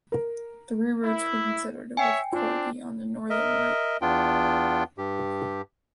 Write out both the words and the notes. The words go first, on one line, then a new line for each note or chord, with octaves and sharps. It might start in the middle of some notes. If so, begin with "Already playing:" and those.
Three routes were considered, with Corby on the northern route.
A#4
E4
C#5 E5 G5 G#5
C4 D4 F4
A#4 D#5 E5
E2 B3 D4 F4 G5
G2 G4